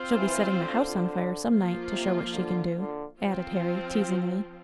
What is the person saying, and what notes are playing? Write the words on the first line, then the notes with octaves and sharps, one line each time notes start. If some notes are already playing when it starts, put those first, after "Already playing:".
"She'll be setting the house on fire some night, to show what she can do," added Harry, teasingly.
Already playing: C4 F4 C5
E3
D3
F3 A#3 F4
C3
D3
D3
F3 C4 F4